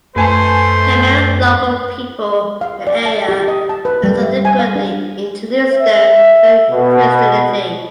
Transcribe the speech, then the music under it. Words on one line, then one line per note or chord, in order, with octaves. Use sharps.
They married local people in the area and subsequently introduced them to Christianity.
F#2 A3 B4 C5 G#5 A5
F5
D5
A5
G4
D#5
A5
B4
G3
E5
G#5
F5
D4
E5
B2